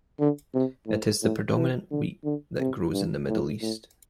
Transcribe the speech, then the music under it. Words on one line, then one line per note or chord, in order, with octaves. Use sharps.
It is the predominant wheat that grows in the Middle East.
D3
C3
A2
A2
E3
D3
D3
C3
G2
A2
A2